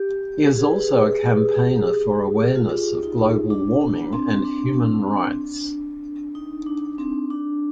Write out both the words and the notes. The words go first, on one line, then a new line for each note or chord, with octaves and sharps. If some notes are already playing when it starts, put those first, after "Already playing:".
He is also a campaigner for awareness of global warming and human rights.
Already playing: G4
G#4
B4
G#4
G#4
G4
F4
D#4
D4
D4
C4
D4
D#4
D4
C4
D4